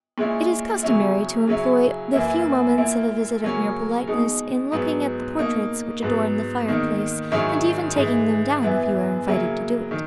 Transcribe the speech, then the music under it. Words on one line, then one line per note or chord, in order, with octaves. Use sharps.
It is customary to employ the few moments of a visit of mere politeness, in looking at the portraits which adorn the fireplace, and even taking them down, if you are invited to do it.
A#2 G#3 C#4 E4
E2 C#3 F#3 C#4 E4
C#3 F#3 C#4 E4
F#2 E3 A#3 E4
A#2 A#3 E4
C#3 F#3 A#3 C#4
B2 G#3 D#4
G#2 F#3 B3
B2 A#3 D#4
G#2 F#3 B3
E2 D#3 A#3 D#4
G#2 D#3 F#3 C#4 E4
G#2 E3 G#3
F#2 E3 B3 E4
C#3 F#3 A#3 E4
D#3